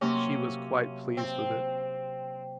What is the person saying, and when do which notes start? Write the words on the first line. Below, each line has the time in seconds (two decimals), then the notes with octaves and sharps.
She was quite pleased with it.
0.01 C3 F#3 A#3 C#4
1.17 C4